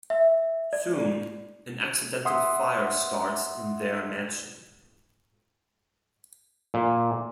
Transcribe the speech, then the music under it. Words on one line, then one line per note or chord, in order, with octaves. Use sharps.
Soon, an accidental fire starts in their mansion.
E5
D5
E5 F#5 C6 D#6
A#2